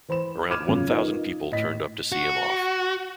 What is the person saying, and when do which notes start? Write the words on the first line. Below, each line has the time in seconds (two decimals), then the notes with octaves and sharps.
Around one thousand people turned up to see him off.
0.09 E3 C5 B5 E7
0.50 D6 F6 G#6 D#7 E7
0.68 F#2 C#3 F3
0.89 D#4 F4 A#4 B4 D#5
1.52 A2 D#5 B6
2.12 F#4